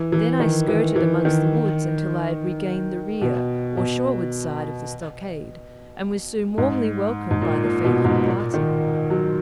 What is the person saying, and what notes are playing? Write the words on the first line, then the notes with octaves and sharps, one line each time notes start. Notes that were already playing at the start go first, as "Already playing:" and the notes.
Then I skirted among the woods until I had regained the rear, or shoreward side, of the stockade, and was soon warmly welcomed by the faithful party.
Already playing: E3
E3
D#3
E3
E3
D#3
B2
B2
G#2
G#2
A#2
A#2
B2
G#2
A#2
D#3
F#3